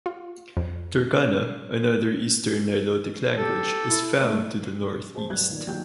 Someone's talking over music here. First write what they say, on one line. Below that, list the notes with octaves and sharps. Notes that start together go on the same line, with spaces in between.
Turkana, another Eastern Nilotic language, is found to the northeast.
F4
F2
G4 A4
E4
A3
G#4 C5 A5
B1 G2 G4 F#6 G#6
A#2 D#3
A#1 D#3 F#3 G4 G5 G6